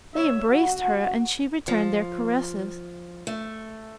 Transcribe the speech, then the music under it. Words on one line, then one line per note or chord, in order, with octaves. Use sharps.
They embraced her and she returned their caresses.
C#5 E5
F#4
F3
A3